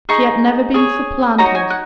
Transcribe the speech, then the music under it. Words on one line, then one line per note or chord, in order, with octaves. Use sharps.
She had never been supplanted.
D#4 G#4 C#6
G#4 C#5
D#4 F#4 C#5 A#5
G#5
F#5